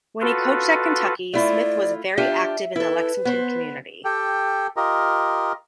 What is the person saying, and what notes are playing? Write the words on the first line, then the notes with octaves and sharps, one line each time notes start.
When he coached at Kentucky, Smith was very active in the Lexington community.
F4 F#4 A4 B4
A3 E4 F4 D5
D4 F4 G4 E5
E4 A4 B4
B3 C5
G4 A4 G5
F4 G4 A#4 D#5